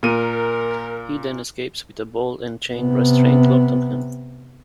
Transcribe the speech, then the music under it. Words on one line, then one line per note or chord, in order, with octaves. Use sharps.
He then escapes with a ball-and-chain restraint locked on him.
A#2 A#4 D#7
C3 B3